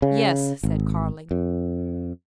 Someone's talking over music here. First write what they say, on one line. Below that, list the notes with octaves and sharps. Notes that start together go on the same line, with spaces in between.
"Yes," said Carling.
C#3
G#1
F2